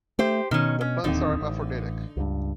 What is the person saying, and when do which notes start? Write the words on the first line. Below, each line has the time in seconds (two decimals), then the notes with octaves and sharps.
The plants are hermaphroditic.
0.19 A3 G4 C5
0.51 B2 D#3 C#4
0.81 C#4
1.04 D1 D#2 D3 C4 D#4
1.41 A1
2.17 C#2 G2